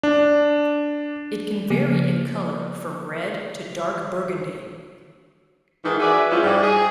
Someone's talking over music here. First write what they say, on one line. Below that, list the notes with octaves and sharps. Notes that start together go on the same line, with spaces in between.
It can vary in color from red to dark burgundy.
D4
C#3 F3 A#3 B3
G#2 D#3 E3
F#4 G#4 B4 D5 E5
F3 F#3 G#3 C#4 E4 F4
G#2 G3
G#4